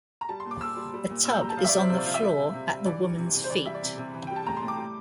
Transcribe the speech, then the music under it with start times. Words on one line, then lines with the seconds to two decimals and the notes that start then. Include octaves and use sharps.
A tub is on the floor at the woman's feet.
0.21 A#5
0.29 G3 A5
0.40 C6
0.45 A#2
0.51 D6
0.61 A#2 E6
0.77 G3
0.94 G3
1.09 A#2
1.25 A#2 E6
1.33 G6
1.41 G3 A#5
1.49 A5
1.57 F3 F5
1.64 E5
1.68 C3 D5
1.79 C5
1.89 C3 C5
1.98 D5
2.06 F3 F5
2.14 E5
2.22 G3
2.38 C3
2.53 C3
2.70 G3
2.85 E3 D5
3.02 G3
3.18 C3
3.35 C3
3.44 C5
3.50 E3 D5
3.66 G3 E5
3.74 D5
3.83 C3
3.98 C3
4.14 E3
4.27 G3 G5
4.36 A5
4.46 A2 A#5
4.57 C6
4.63 A2
4.68 D6
4.78 G3